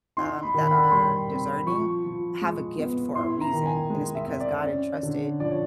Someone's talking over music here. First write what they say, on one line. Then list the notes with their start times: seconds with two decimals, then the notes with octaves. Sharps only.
um, that are discerning, have a gift for a reason, and it's because God entrusted
0.17 D#4 C6
0.43 B5
0.54 D#3
0.67 B5
0.83 B5
0.91 G3 C6
1.30 C4
1.66 F3 C#6
2.04 F3
2.41 G#3
2.78 B3
3.15 E4 C6
3.41 A#5
3.53 D#3
3.65 G#5
3.90 G#3
4.15 E5
4.27 C4
4.40 D5
4.64 C#4
5.03 D3
5.40 F3 D5
5.51 C#5